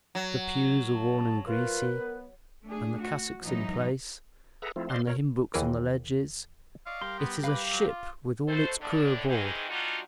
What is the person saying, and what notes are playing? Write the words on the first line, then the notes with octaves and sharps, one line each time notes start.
The pews are worn and greasy, and the cassocks in place, and the hymn-books on the ledges. It is a ship with all its crew aboard.
F#3
A5
F4 A#4 B4
B3
A3 D4 G#4
F#4
G#2 E3 F#3 D#4
G#4 A4 B4 E5 F#5 A#5
F3 A3 C4 E4 F4
C5 D5 D#5 F5 C6
B2 A#4 C#5
D#2 E3 G#4 A#4
D5 D#5 F5 C#6
G3 G4 A#4 C6
B3
B4 F5 D6
F#3
F4
B2 A3 A4 C5
A2 D3 D4
D#3 E3 C4 D#4 G4 G#4
G3 D4 D#4 F4 F#4